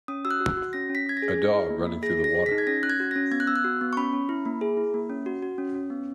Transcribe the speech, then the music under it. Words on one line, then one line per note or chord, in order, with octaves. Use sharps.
A dog running through the water.
C#4 D#6
F#4 E6
F#6
F#4
F#4
C#4 A#6
C#4
B6
C#4 G#6
A#6
G#4
G#4
E4
A#3
A#3
G#4 A#6
G#4
A#6
G#4
B6
D#4
G#6
C#4 A#6
C#4 F#6
G#6
F#4
C#4 A#6
B3 G#6
F#6
B3 E6
F#6
F#4
B3
C#6
C#4 B5
C#4
E4
A#3
G#4
E4
A#3
C#4
F#4
F#4
C#4
C#4
B3